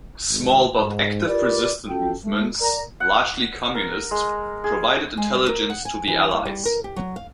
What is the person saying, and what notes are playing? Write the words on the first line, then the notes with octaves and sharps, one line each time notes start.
Small but active resistance movements, largely Communist, provided intelligence to the Allies.
G#1 D2
G#2
F4 G4 A#4 B4 D5
C#4 F4 F#4 A4 G5
G#3 A3
A#4 D5 A#5
F#5
A#4
G#3
G#4
G#3
G3
A#4
F#5
G#5
E3
G3
G3
A#4
G4
F#3
F5